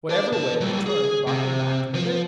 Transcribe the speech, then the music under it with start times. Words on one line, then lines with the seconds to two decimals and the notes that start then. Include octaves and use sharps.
Whatever way they turned brought them back to the middle.
0.10 D5 A5
0.32 E3 A5
0.61 F#3 G3
0.86 G#4
1.27 C3
1.95 F3